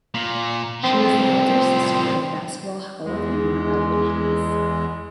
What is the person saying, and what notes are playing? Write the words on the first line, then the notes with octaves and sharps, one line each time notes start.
She is the elder sister of basketball Hall-of-Famer Elvin Hayes.
A#2
C2 F3 C4
E2 G#3